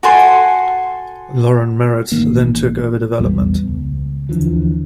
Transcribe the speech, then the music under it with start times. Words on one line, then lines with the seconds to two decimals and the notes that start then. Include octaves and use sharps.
Loren Merritt then took over development.
0.03 F#4 A4 G#5 C6
2.12 A1 D#3 A#3
3.19 A#1 E2 G3 B3
3.68 C#2
4.29 D#2 D3 E3 F3